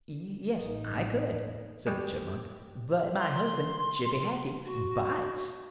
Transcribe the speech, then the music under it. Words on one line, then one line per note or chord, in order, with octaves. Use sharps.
"Yes, I could," said the Chipmunk, "but my husband, Chippy Hackee, bites!"
A1 D#4
B2 G3 G#3 G4
C6
F#4